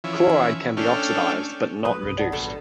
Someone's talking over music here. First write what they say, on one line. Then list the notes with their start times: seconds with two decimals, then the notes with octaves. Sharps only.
Chloride can be oxidized but not reduced.
0.04 E3 F3 C#4 E4
0.77 A3 C#4 D4 G5 F6
1.85 F#3 G3 A4 B4 D#6
2.03 B1 G2 C3 D#6
2.18 D5 F#5 A5
2.32 A1 G2 B2 A4
2.46 B5